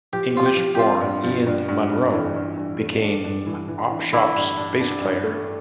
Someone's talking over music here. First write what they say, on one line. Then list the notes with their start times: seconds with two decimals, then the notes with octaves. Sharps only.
English-born Ian Munro became Opshop's bass player.
0.13 F3 G4
0.35 C4 F4
0.46 G4
0.57 F3
0.75 G4
0.79 C4 F4
1.01 G2
1.24 F3
1.46 G2
1.68 G2
1.91 G2
2.13 E3
2.35 G2
2.57 G2
2.80 A3
3.02 D4
3.24 D4
3.46 E3
3.68 E3
3.90 E3
4.12 D3 E4
4.35 G2
4.58 D4
4.80 D4
5.02 G2
5.24 A3